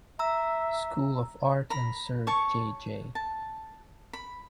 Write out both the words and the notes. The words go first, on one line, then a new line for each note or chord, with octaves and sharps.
School of Art and Sir J. J.
E5 A#5 E6
A#5 B5
C#5 A5 C#6
A5
B5